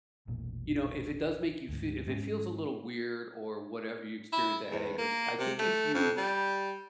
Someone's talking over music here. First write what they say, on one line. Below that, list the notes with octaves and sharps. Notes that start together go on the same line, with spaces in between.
you know, if it does make you fe if it feels a little weird or whatever you experience a headache or s I think if you
E1 A1 A#2
D2 G#2
G#2 C#4
E4
E2
A#3
C3
A3
F2
G3